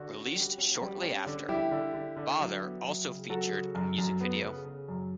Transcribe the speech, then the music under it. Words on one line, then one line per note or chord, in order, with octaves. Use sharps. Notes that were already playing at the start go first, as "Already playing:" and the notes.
Released shortly after, "Bother" also featured a music video.
Already playing: D3 F#4
C#4
G3
C#4
G3
C#4
D3
G3 E4 G4
D3
D3
D3
F#3
B3
F#3
C#3
F#3 F#4 A4
C#3
F#2
F#2
B3
C#3
C#3
F#2